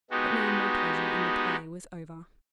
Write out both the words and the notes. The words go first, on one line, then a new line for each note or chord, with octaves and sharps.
But now, my pleasure in the play was over.
G#3 B3 D#4 F#4 G4